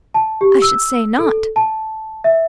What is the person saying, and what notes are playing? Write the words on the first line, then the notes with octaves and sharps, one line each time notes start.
I should say not!
A5
G4
E6
A4
A5
E5